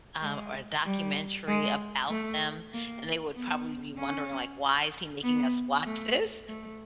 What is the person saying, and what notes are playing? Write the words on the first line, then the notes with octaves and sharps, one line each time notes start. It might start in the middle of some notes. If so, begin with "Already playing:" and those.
um, or documentary about them. And they would probably be wondering like, "Why is he making us watch this?"
G#3
G3
G#3
A3
A#3
B3
C#4
B3
A3
A3